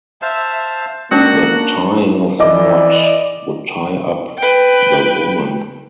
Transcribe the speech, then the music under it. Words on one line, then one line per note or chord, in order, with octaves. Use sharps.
The tying of the knot would tie up the woman.
C5 E5 F5 A5
G#3 A#3 C#4 D4 F#4 C#5
E3 D5 D#5 D6
B4 G5